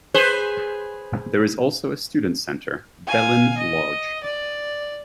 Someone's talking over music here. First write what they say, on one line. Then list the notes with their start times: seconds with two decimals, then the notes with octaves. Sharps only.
There is also a student center, Belin Lodge.
0.14 G#4 B4 C5
3.07 F5 G#5
3.57 D#5
4.23 D5